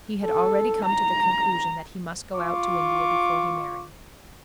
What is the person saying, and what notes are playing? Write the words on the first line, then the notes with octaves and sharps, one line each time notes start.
He had already come to the conclusion that he must go out to India before he married.
A4
A#5
F4 C#6 D6